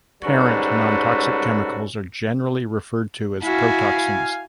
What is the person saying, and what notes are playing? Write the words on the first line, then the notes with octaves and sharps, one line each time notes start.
Parent non-toxic chemicals are generally referred to as "protoxins".
G#2 G3 C#4 F#4 A4 B4
E4 F#4 F5 G#5